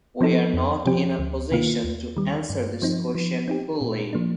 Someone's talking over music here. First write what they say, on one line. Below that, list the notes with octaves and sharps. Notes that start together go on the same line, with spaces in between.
We are not in a position to answer this question fully.
F3 C4 D#4 A4
F2
C3 F3 C4 G4
D2
C3 D#3 A#3 F4
D#2
D#3 G3
G2
F3 C4 D#4
F3
C4 D#4 G4
A#2
F3 A#3 D4